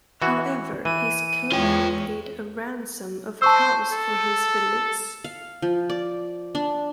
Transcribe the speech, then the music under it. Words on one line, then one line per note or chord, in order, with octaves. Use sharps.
However his clan paid a ransom of cows for his release.
E3 F#4
E3 D#7
E2 G#3 F4 C#5 G5
C5 A5 C#6 E6
A4
F5
F3
D5
D4